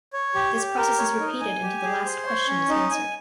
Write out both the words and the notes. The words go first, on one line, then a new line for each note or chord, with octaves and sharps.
This process is repeated until the last question is answered.
C#5
G4
G4
A#4
C#5
D#4
G#5
G4
G#4
C5
C#5
C#4
D#4
G#5